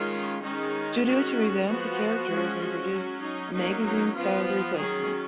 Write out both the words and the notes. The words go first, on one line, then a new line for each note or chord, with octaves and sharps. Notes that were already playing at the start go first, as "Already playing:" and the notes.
Studio to revamp the characters and produce a magazine styled replacement.
Already playing: D#3 G#3 C#4 F4
D#3 G#3 C#4 D#4
D#3 G#3 C#4 F#4
F3 B3 F#4
F3 G#3 C#4
F#4
F#3 C#4
D#4
F#3 A#3 C#4 D#4
D#4
F3 B3 F4
D#3 F#3 C#4 G#4